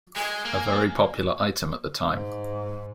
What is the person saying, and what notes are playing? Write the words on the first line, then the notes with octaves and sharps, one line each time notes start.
A very popular item at the time.
G#3 G#5
A#3
G#2